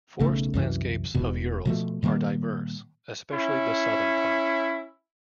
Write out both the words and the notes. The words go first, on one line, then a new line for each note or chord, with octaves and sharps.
Forest landscapes of Urals are diverse, especially the southern part.
B1 C#3 A3
C2 F#2 E3
E1 E2 B2
B2 F3 A3
A#2 D#3 G3 A#3
C#4 E4